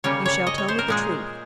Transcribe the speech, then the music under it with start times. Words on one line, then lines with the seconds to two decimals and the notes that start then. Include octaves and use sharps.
"You shall tell me the truth."
0.04 C#3 G3 A#3 C#5
0.26 C#5
0.47 D#5
0.58 C#5
0.68 C5
0.79 A#4
0.88 A#2 G#3 G#4